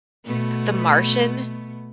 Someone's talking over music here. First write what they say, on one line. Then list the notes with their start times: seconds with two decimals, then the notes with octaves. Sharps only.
The Martian,
0.25 B2 A3 B3